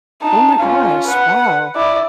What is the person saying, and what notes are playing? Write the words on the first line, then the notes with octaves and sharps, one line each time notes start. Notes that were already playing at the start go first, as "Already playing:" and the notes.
Oh my gosh, wow.
D#4 A5
C#4 F4
B4 F#5
E4 D5